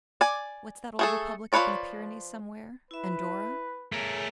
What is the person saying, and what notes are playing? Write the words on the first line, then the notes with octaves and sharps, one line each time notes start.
What's that old republic up in the Pyrenees somewhere--Andorra?
D5 G#5
A3 G#4 A4
F3 F#4 B4 C#5 D5
E4 B4 E5
A3 G#4 A#4 C#5 G#5